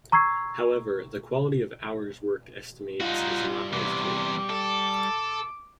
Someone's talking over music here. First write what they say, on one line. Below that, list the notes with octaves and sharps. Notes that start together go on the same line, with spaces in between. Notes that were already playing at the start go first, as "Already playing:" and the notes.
However, the quality of hours-worked estimates is not always clear.
A#5 C#6 E6 G#6 C7
G3 D#4 F4 F#4 F5
E2 C3 D6
A4